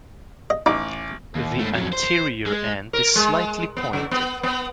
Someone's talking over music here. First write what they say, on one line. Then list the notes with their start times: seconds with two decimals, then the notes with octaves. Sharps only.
The anterior end is slightly pointed.
0.50 D#5
0.66 A1 D#4 D6
1.35 D#2
1.59 G#2 A3
1.73 F2 F#3
1.93 C5
2.46 G#3
2.93 A#4
3.16 G#3
3.77 B3
3.93 C#3
4.11 B3
4.43 B3